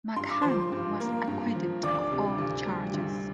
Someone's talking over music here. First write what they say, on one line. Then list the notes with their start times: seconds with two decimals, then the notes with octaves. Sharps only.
McHann was acquitted of all charges.
0.16 G2 C6
0.29 D6
0.42 F3 C5 C6
0.72 G2
1.00 A#3
1.28 G2
1.55 F3
1.83 D2 D5 D6
2.11 C3
2.38 D2
2.66 G3
2.94 D2